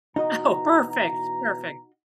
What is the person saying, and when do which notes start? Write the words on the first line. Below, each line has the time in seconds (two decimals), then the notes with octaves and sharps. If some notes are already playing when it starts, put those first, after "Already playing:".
Oh, perfect, perfect.
0.16 B2 E3 D#4 F#4 D#5 A#5